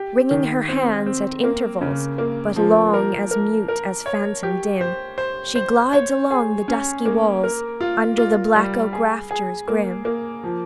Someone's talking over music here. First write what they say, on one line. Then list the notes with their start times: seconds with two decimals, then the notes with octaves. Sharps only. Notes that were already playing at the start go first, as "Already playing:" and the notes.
Wringing her hands, at intervals-- But long as mute as phantom dim-- She glides along the dusky walls, Under the black oak rafters grim.
Already playing: G4
0.31 D#3
0.69 C4
1.06 C4
1.44 A#3
1.81 C#3
2.18 A#3
2.56 F3
2.94 A#4
3.31 A#4
3.68 A#4
4.06 C#5
4.43 G4
4.81 C5
5.18 C5
5.56 C5
5.93 C#5
6.31 G#4
6.68 C#4
7.06 A#3
7.44 A#4
7.81 F4
8.18 F4
8.56 G3
8.93 G#4
9.31 G#4
9.68 A#3
10.05 A#3
10.44 F3